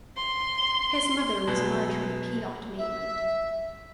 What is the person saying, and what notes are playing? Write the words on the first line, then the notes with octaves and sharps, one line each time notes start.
His mother was Marjory Pyott Maitland.
C6
B2 F#3 G#3
E5